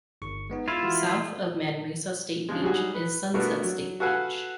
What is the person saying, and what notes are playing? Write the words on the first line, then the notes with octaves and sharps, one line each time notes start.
South of Manresa State Beach is Sunset State Beach.
G1 C#6
G#3 B3 D#4
E4 F4 G#6 A6
E3 G#3 F#4
C#3 F3 G#3
F#3 G3 D#4 F#4 G#4
B4
B2 A3 B3 D4 F#4 A#4
F#3
F#4 A4 B4 F5 F#5 G#5